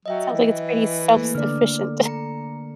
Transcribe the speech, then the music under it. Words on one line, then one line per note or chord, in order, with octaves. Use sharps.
Sounds like it's pretty self-sufficient.
F#3 D#5 E5 G5
E3
A3 A#3 A4
D3 A#4 D5 F6
A#5 C#7